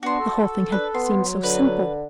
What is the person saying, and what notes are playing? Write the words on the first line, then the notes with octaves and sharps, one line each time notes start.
The whole thing had seemed so simple.
B3 D4 F#4 C6
A4
D4 B4
B3 C6
F#3
D3 B4